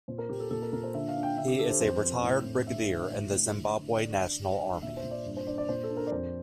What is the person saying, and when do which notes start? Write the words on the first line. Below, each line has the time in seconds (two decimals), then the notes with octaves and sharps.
He is a retired Brigadier in the Zimbabwe National Army.
0.08 A#2 C5
0.18 A#4
0.29 A#2 G4
0.40 A4
0.50 A#2 A4
0.62 A#4
0.73 A#2 A#4
0.83 C5
0.94 D3 E5
1.08 F5
1.16 D4
1.23 G5
1.37 D3 E5
1.48 G4
1.58 D3 A4
1.70 C5
1.80 F2 C5
2.02 C4
2.23 A2
2.45 A2
2.67 D3 E5
2.88 D3 E5
3.10 A2
3.32 A2
3.53 D3
3.75 D3
3.96 D3 D5
4.18 D3
4.39 G2
4.61 D4
4.82 A#2 E5
4.97 C5
5.04 A#2
5.11 D5
5.26 G2
5.37 C5
5.47 D4 D5
5.58 D5
5.68 A#2 C5
5.83 A4
5.90 D4
5.97 A#4
6.07 D5
6.11 F2 C5